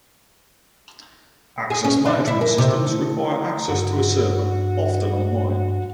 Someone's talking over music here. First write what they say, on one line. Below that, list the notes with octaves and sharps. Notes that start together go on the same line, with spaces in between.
Access management systems require access to a server, often online.
G#4
C#4
D4
E4
A#4
C3
A3 E4
A#5
G2 F#4